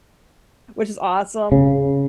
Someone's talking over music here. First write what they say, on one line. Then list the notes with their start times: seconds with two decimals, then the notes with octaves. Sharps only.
which is awesome,
1.52 C#3